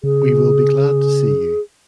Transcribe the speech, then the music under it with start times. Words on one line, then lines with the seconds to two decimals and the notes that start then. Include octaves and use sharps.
We will be glad to see you!
0.04 C#3 G#4